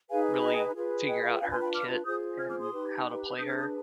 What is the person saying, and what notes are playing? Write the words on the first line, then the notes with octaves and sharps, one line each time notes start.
really figure out her kit and how to play her.
D#4 G#4 B4 F5 G#5
D#5 G5
F4 G#4 B4
D#5 G5
F5
G5
D4 F4 B4 F5 G#5
G#5 C6
G5 B5
D6 F6
F4 G#4 C5 D#6 G6
F6 G#6
D6 F6
C6 D#6
D#4 G4 B4
D4 G#4 B4 D#6 G6
F6 G#6
D#6 G6